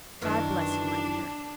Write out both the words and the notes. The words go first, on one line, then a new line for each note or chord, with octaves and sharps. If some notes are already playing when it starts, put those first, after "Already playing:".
God bless you, my dear!
F#2 D#3 E3 D4